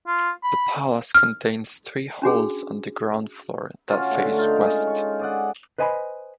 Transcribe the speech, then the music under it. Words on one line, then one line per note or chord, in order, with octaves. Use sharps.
The palace contains three halls on the ground floor that face west.
F4
B5
F6
C#4 D4 F#4 G#4
C#4 F4 F#4 C#5
D3 A3
D#4 F4
G#3 C#4
C#6
G#4 D5 F#5
B4 C5 D#5 G#5 A5 B5